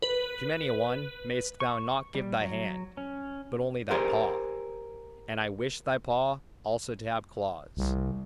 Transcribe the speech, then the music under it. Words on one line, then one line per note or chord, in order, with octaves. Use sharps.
To many a one mayest thou not give thy hand, but only thy paw; and I wish thy paw also to have claws.
B4
C#6
G3
F#3
C#4
G4 G#4 A#4 C5
C2